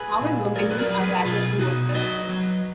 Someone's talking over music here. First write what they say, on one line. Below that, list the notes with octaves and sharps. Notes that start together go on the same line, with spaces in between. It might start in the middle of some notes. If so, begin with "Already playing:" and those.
However, many are rather poor.
Already playing: G#4 B4
A#2
F#3 A#4 D5
B4
A#4 D5
F#3
G#4 B4
B2 F4 G#4
B2 D#4 F#4
D5
F#3 B4 D#5
F#3